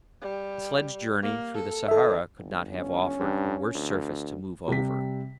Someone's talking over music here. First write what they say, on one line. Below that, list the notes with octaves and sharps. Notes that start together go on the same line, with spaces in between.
A sledge journey through the Sahara could not have offered a worse surface to move over.
G3
A#3
A4
D#3 A4 E5
G1
C#4
G2
D2
C3 G3 B6